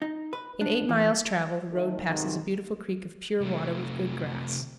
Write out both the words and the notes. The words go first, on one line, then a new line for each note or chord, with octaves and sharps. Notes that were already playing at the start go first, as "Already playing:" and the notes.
In eight miles' travel the road passes a beautiful creek of pure water, with good grass.
D#4
B4
D4
E3
D#3 A3
E2 G#2 C3 D#3
C3 A3